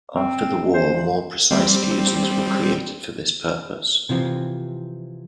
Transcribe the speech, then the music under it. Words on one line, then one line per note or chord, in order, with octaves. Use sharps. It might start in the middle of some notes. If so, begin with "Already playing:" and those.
After the war more precise fuses were created for this purpose.
C4
C5
G3 C4
C3 E3 F3 C4